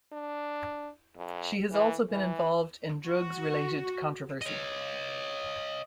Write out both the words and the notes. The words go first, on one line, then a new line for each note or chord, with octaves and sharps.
She has also been involved in drugs-related controversy.
D4
F2
E3
E3
F#4
C#5 D#5